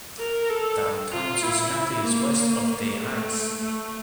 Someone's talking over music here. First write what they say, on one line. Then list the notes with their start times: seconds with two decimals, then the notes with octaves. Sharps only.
Downtown Cincinnati is west of Day Heights.
0.19 A#4
0.50 A4
1.12 F4
1.43 E4
2.05 A#3
2.99 A3
3.61 A3